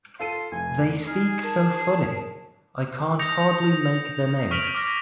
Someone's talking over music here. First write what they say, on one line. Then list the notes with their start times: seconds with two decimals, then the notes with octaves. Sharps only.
They speak so funny, I can't hardly make them out.
0.19 F4 A4 C6 D#7
0.52 F1 G#5
1.07 D#4 G#4 G#5 F6
1.44 A#4 A5
3.19 D#6 G6 A#6 C#7 F7
4.51 C#6 F6 B6 D7 F7 F#7
4.75 D6 F6 A#6